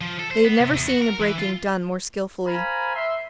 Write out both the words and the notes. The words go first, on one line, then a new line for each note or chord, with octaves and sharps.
They had never seen a breaking done more skillfully.
F3
A4
C5
B3
C3
E2
F#4
A#4
E3
F4
A#4 C5 F5 G#5 A#5 B5
E5 C6